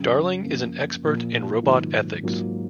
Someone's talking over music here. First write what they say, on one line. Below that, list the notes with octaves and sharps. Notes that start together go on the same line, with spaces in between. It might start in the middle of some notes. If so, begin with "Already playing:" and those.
Darling is an expert in robot ethics.
Already playing: F#2 C#3 F#3
F#2 F3 A#3
A#2 F3 A#3
G#2 D#3 F#3 A#3 F4
G#2 F#3 A#3 F4